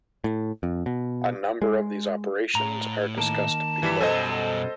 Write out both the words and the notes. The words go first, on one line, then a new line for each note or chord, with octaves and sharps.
A number of these operations are discussed below.
A2
F2
B2
G#3
A2 A#5
D#3 A#3 A5
G2 E3 G3 B6
F#2 B2 F#3 G3 A4 C5 D#5 G#5